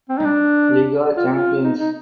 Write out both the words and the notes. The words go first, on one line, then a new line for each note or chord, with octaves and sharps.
Liga champions.
C4
D#4
D4
F4
F4
D#4
D#4